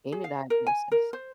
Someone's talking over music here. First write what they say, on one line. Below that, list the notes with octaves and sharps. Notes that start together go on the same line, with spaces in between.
Any diagnosis.
G#4
F5
A#4
G#5
A#4
C5